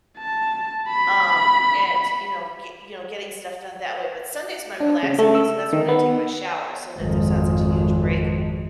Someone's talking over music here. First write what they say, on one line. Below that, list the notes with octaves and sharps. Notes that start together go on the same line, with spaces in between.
um, and, you know, ge you know, getting stuff done that way, but Sunday's my relaxing day, so that's when I take my showers so that there's not such a huge break.
A5
B5
D4
C#3
A3
E6
D#3
B3
G#1 F2